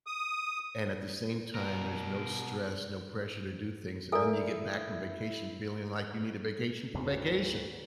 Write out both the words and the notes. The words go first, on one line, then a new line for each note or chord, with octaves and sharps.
and at the same time, there's no stress, no pressure to do things. And then you get back from vacation feeling like you need a vacation from vacation.
D#6
B2 A#4
E4 A4 A#4 D5 E5 G#5
D2 G#2